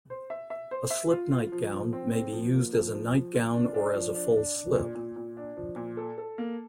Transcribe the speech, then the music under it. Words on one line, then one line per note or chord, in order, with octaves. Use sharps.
A slip nightgown may be used as a nightgown or as a full slip.
C5
E5
E5
C5
E5
F4
F4
F3
F3
C4
C4
F3
A#3
F3
F3
F3
F4
D4
D4
F3
D4
D4
D4
A#2
A#2
A#2
D4
F3
A#2
A4
A4
A#3